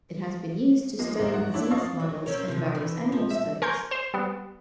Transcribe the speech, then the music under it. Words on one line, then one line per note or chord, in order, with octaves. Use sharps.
It has been used to study disease models in various animal studies.
F3 G#3 A#3 D#4
G#1 A2 D#4 A#4 C5
F#4
D4 E4 C#5 E5
F3 D#5 F5 C#6 A6
F#3
C4 C#4 A#4
C3 F3
E3
F3
E5
A#4 G#5 C6 C#6 G6 G#6
C5 E7
G3 B3